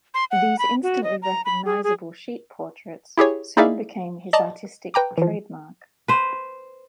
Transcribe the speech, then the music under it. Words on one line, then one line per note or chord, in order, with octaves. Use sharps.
These instantly-recognizable sheep portraits soon became his artistic "trademark".
C6
F#5
B5
F#4
D#5
A#5
B5
G#4
G#4
E4 G4 G#4 C#5
D#4 E4 G#4 D5 E5 F5
D5 D#5 A5 A#5
B4 G5 A#5 D6
E3 F3
B4 C5